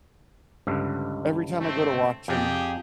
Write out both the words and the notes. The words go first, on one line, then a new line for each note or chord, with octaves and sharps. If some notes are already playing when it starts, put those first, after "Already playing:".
every time I go to watch 'em,
C#2 G2 D3
A3 C4
F2 G4 G#4 G5